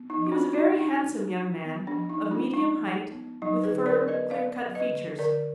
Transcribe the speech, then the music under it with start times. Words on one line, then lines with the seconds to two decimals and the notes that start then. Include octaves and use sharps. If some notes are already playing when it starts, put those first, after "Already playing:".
He was a very handsome young man, of medium height, with firm, clearcut features.
Already playing: B3
0.10 D#4
0.17 F3
0.27 F#4
0.32 D4 F4
0.46 B3
0.53 D#4 F#4
0.76 D4 D#4
1.06 D4
1.35 D4
1.65 B3
1.87 D4
1.94 F3
2.10 D#4
2.23 F3
2.31 D4 F4
2.53 G#3 D#4
2.83 F3
3.12 B3
3.42 F#3 D#4
3.63 G#4 B4
3.72 D3
3.86 A#4 D5
4.02 B3
4.08 B4 D#5
4.30 B3 D5 F5
4.60 F#3
4.75 B4 D#5
4.90 D3
5.19 D3 A#4 D5